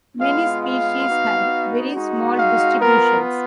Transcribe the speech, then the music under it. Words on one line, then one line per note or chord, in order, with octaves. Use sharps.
Many species have very small distributions.
G#3 B3 F4 F5
F5
B3 D#4 F#4
G#3 D#4 F#4
F5
B3 F4 A#4